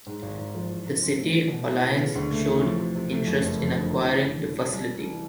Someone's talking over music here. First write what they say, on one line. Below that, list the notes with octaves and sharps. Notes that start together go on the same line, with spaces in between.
The city of Alliance showed interest in acquiring the facility.
G#2
G#1
G#1
F3
E3
C3
C4
A3
G3
B2
E4
B3
C#3
D2
A3
E3
F3
C3
C3
A3
F2
F#1
F3
D3
E3
C3
C3
G3
C3
C2
G3
E3